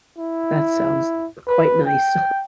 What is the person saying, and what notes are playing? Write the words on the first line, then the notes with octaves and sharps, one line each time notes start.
That sounds quite nice.
E4
B4
G5